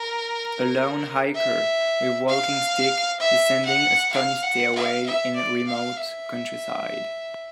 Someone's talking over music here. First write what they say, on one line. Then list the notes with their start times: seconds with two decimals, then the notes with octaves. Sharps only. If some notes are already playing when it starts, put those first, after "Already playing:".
A lone hiker with walking stick descending a stony stairway in remote countryside.
Already playing: A#4
1.35 E5
2.28 F5
3.20 E5
3.66 F#5
4.12 F5
4.43 F#5
4.75 F5
5.06 E5
5.35 D5
5.67 F5
5.97 E5